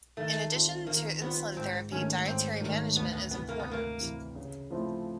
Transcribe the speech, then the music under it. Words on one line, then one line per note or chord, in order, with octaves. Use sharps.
In addition to insulin therapy dietary management is important.
D#3 A3
G3 C4 F4
D#3 A#3
G3 B3 C4 F4
G#2 C4
D#3 F#3 A3 C#4
G#2 C4
D#3 F#3 A3
D2 B3
B3
C3 E3 B3
A#3
B3
D2
A#3
C3 E3
C#3
F3 A3 C4 E4